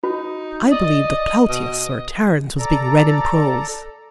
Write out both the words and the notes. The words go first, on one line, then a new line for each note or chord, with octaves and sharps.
I believed that Plautus or Terence was being read in prose.
D#4 F#4
D5 D#5
B2 D#5
A4 D5 A#5